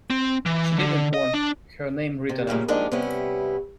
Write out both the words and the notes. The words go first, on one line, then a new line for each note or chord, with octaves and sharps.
She didn’t want her name written up.
C4
E3
D3
D#5
D4
C3
A#2 C#3 G3 A#3
F3 G3 G#3 A#3 D4 D#4
C3 G3 B3 C#4 E4